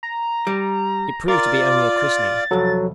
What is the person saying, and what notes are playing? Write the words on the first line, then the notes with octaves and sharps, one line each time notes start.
It proved to be only a christening.
A#5
G3
F4 A#4 D5 A6
C2 F2 F#3 A4